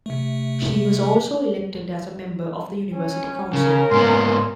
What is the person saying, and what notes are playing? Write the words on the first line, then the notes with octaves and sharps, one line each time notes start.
She was also elected as a member of the University Council.
C3 A3
C#4
C#3 C#4 A#4
G#2 A#3 B3 C6